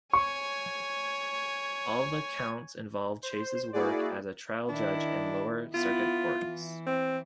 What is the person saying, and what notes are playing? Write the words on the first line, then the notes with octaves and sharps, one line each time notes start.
All the counts involved Chase's work as a trial judge in lower circuit courts.
C#5 G#5 C#6
C5
A#3 E4 F#4 G#4 D5
D#3 D4 E4
B3 E4 F4
E3
C4